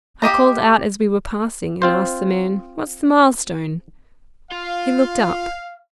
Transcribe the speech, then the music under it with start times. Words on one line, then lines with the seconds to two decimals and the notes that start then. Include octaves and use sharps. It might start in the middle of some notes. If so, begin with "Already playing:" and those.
I called out as we were passing, and asked the man, "What's the mile-stone?" He looked up.
0.22 A#3 G4 D#5 A#5
1.82 C4 F4 C5
4.52 F4 F5